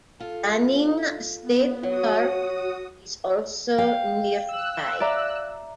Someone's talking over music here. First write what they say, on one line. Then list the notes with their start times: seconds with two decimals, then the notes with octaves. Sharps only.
Banning State Park is also nearby.
0.20 F4 A4
1.42 B3
1.83 F#3 F#4 D#6
3.78 F5 G5
4.49 E6 F#6
5.00 D5 E5 A#5